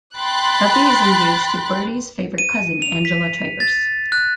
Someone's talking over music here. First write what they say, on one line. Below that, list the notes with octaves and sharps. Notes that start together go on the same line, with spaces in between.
Tuppy is engaged to Bertie's favourite cousin, Angela Travers.
G5 B5 C6 F#6 A6
D#7
F7
B6
A6
F#6